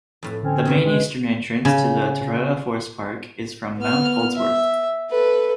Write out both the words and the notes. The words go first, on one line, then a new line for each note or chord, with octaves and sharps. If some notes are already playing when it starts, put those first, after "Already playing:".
The main eastern entrance to the Tararua Forest Park is from Mount Holdsworth.
F2 A2
D3 C4 C#4
G2 B2 E3
G#3
C#3
B3 F6
E5
A4 B4